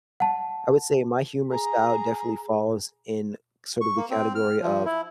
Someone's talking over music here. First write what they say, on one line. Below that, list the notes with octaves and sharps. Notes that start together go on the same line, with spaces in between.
I would say my humor style definitely falls in sort of the category of
F#5 A5
G#4 A#5
C#6
A#3
C4
F6
F3
E4